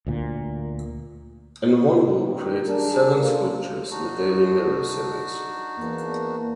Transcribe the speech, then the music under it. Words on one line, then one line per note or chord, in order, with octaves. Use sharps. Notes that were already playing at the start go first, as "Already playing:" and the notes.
Enwonwu created seven sculptures in the "Daily Mirror" series.
D2 A#2
D#3 A#3
D4 G#4 A#4
A#3 F4 A4
D4 D#4 F#4
E2 A#3